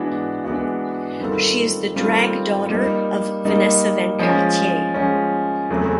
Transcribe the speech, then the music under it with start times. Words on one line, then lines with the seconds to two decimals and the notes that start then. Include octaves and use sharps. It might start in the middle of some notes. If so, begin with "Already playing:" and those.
She is the drag daughter of Vanessa Van Cartier.
Already playing: E3 G#3 B3 D4 F#4
0.44 E3 G#3 B3 D4 F#4
1.20 D#3 G3 C4 F4 A4
1.95 D#3 G3 C4 F4 A4
2.70 G3 A#3 D#4
3.45 G3 A#3 D#4
4.19 F3 G#3 C#4
4.94 F3 G#3 C#4
5.70 E2 C#3 F#3 A3 C4